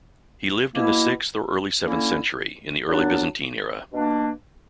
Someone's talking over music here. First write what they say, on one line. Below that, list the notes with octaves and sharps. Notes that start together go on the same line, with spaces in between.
He lived in the sixth or early seventh century, in the early Byzantine era.
B2 A#3 E4
D3 A#3 C#4 E4
A#2 F#3 B3 D4
B2 A#3 D4